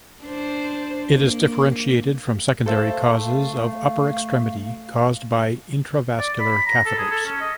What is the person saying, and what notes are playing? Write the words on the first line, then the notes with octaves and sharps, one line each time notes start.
It is differentiated from secondary causes of upper extremity caused by intravascular catheters.
D4 C5
A#3
A3 A4 C5 E5 F5
D5
B5
A#5
A4
G#4
A4
C#4
D#5